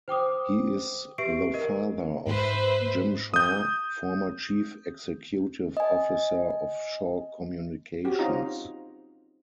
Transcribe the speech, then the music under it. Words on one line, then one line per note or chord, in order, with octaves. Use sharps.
He is the father of Jim Shaw, former chief executive officer of Shaw Communications.
C5 G5 D6 D#6
G4 B4 E5 C#6 C7 D7
A#4 D#5
G#2 B4 C5 E5
D#6 G6
D#5 G#5
F#4 G4
C4 C#4 D#4 F4 D#5 A#5